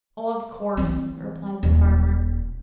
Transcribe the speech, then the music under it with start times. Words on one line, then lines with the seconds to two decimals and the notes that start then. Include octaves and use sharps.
"Oh, of course," replied the farmer.
0.77 E3 C4
1.63 D#1